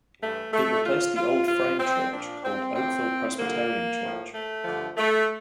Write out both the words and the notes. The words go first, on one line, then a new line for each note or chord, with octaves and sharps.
It replaced the old frame church, called Oakville Presbyterian Church.
G2 E3 A3
A3
A#2 F3 F4
F4
G2 F3 F4
C4
A#2 F3 D4
C4
A2 F3 C4
G2 D3 F3 A#3
A2 F3
A3
G2 D3 F3
A3